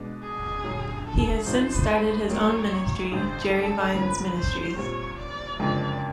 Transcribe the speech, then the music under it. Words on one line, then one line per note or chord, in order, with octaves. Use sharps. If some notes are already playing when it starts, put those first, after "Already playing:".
He has since started his own ministry, Jerry Vines Ministries.
Already playing: B2 G#3 B3 D4
G#4
G2 D3 F#3
A4
G#1 G#2 F3 G#3 C5
A1 A2 F#3 A#3 C#5
A1 G2 D3 C5
A4
F#2 D3 F3 A#3 C#4 B4
C5
A#2 G3 C4 F4 C#5
D5
F#1 F2 D3 F3 G#3 D5